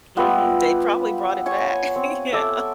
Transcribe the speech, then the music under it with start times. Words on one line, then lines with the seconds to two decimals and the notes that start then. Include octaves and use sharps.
Mhm. They probably brought it back. Yeah,
0.17 G3 B3 F4 B4 E5
1.46 C#5 G#5 C#6
1.96 C4
2.33 A4 E5 D6